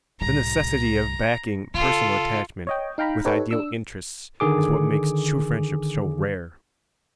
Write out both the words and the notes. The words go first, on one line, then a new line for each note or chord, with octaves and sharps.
The necessity of backing personal attachment with ideal interests is what makes true friendship so rare.
C2 A2 A#5
C#3 F4 A4
C#5 D#5 G5
D#4 F5 G5 A#5 B5
D#4 G4 A4 B4 C#5
D4 E6
D3 D#3 G#4 D6